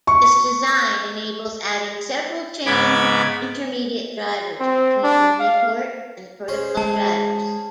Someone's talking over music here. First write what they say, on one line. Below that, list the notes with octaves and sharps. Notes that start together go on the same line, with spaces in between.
This design enables adding several chained intermediate drivers between the miniport and protocol drivers.
C#6
G#2 C#3 B3 B5 D6 G#6
C4
D4
F5
C#4 G#4 C5
G#3 A5